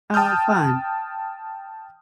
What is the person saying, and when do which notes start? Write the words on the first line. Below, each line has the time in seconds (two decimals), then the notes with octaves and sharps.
Oh, fun.
0.14 G5 A5 D#6 F6 G6